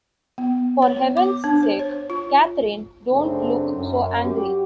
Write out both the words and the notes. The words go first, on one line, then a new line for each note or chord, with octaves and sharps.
For heaven’s sake, Catherine, don’t look so angry!
B3
C#5
B3
D6
D4
C5
C#5
F4
F#2 C#3 A3 C4 D4 D#4
F#2
F#4 G4